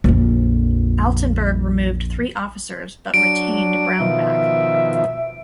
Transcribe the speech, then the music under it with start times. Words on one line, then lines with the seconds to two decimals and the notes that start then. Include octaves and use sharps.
Altenburg removed three officers but retained Brownback.
0.04 A#1 F2
3.14 F#3 D4 D7
4.00 B2 D#3 F3 E5